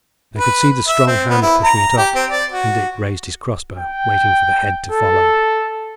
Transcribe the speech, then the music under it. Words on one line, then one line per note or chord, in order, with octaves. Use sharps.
They could see the strong hand pushing it up; and Dick raised his cross-bow, waiting for the head to follow.
B4
E5
C4
B3
E4
A#5
G4
C4
D5
F#4
G5
A4